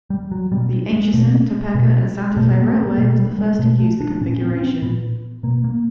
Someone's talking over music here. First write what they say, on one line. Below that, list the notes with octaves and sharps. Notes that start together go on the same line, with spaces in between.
The Atchison, Topeka and Santa Fe Railway was the first to use the configuration.
G3
F#3
B2 G3
G#3
B2 A3
B2
B2 A3
A#3
A#3
A3
A#3
B2 G3
G3
G#3
B2 A3
A3
D4
D4
A#2 C#4
C4
C#4
C4
A#2 B3
B2 A#3
A#3